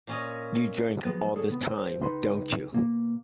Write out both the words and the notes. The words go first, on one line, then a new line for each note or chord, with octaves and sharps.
You drink all the time, don't you?
A#2 C#4 D#5
F3 F#3 G#3 B3
G#4 A4 C#5
C3 B3
C5
C#2 D#4 B4 C6
B2 A#3